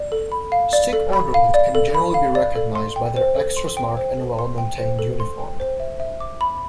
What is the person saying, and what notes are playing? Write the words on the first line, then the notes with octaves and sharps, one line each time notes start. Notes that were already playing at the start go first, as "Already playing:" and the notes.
Stick Orderlies can generally be recognized by their extra-smart and well-maintained uniform.
Already playing: D5
A4
B5
F5
D5
A4
B5
F5
D5
A4
B5
F5
D5
A4
C6
G5
C5
A4
C6
G5
C5
A4
C6
G5
C5
A4
C6
G5
C5
E5
E5
D6
B5